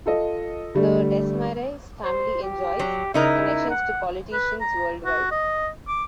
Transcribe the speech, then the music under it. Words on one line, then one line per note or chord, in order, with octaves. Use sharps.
The Desmarais family enjoys connections to politicians worldwide.
F4 A4 D#5
D3 G3 A3
C5
G4
F#3
C#3 D#4 E4 A#4
F#5
B4
A#5
F#4
D#5
D6